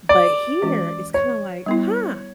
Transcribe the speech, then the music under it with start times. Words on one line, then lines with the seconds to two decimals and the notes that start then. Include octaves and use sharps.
but here it's kinda, like, "Huh,
0.09 D5
0.62 E3 G#3 C#4 F#4
1.14 C#5
1.66 G3 B3 E4